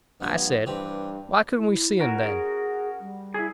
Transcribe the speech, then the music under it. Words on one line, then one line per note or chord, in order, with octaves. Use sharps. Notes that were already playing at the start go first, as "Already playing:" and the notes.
I said, why couldn't we see them, then?
A#1 G2 B3 G#5
G2 E3 C4 G4
E4
C#4 F#4 A#4
G#4
G3
E4 G#4